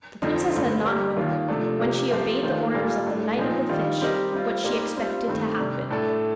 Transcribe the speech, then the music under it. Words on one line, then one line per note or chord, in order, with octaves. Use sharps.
The princess had not known, when she obeyed the orders of the Knight of the Fish, what she expected to happen.
F2 D3 F3 C4 D#4
G2 D3 A3 C4
G3 A#3 D4 G4 A#4
D#2 D#3 A#3 F4
C3 F3 A3 D4
C3 F3 A#3 D4 G4
F3 C4 G4 A#4 F5
D#3 A3 D4 F4 C5
A#2 G3 A#3 F4 A4
A2 A3 D4
A#2 F3 C4 D#4
D#3 G3 D4 F4
G3 C4 G4 A#4 D#5
G3 C4 F4
G3 A#3 D#4 G4 C5
G3 C4 F4
G2 D#3 A3 C4
C3 G3 D4
A2 A3 D4 A4 D5